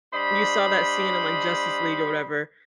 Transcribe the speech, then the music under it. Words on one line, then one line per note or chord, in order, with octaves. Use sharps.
you saw that scene in, like, Justice League or whatever,
G3 D4 C5 D#5 B5